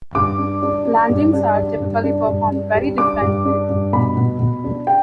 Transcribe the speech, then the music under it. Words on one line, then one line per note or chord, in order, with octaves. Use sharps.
Landings are typically performed very differently.
G2 D6
D4
D4
D4
G2
D4
G3
G2
D4
G2
D4
G3
D4 D6
G2
D4
G2
B2 B5
B2
B2
D4
G5